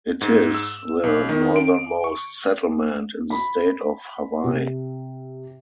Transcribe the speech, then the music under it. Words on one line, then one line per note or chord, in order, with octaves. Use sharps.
It is the northernmost settlement in the state of Hawaii.
G#2
E6
B1
D#3
D7
C#6
B5
C3